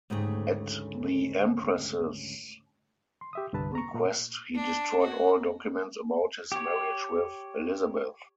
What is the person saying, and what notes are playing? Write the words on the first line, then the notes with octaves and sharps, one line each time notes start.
At the Empress's request he destroyed all documents about his marriage with Elizabeth.
D2 G#2 C#3 A3 G4 G#4
C6
G4 E5 D#6
C2 G2 D3 B4 A5
A#5 C#6
A#2
D4
F#4
G4 C#5